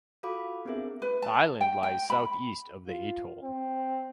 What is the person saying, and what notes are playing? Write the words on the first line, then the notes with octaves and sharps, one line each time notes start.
The island lies the south east of the atoll.
F4 F#4 A4 F5 B5 D6
B3 C4 D4 G#4 A#4 E5
B4
A5
G5
G5
B5
F4
C4